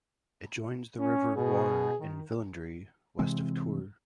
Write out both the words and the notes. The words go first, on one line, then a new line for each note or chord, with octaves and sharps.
It joins the river Loire in Villandry, west of Tours.
C#4
B2 G#4
D#3
C3 E3 G#3 C4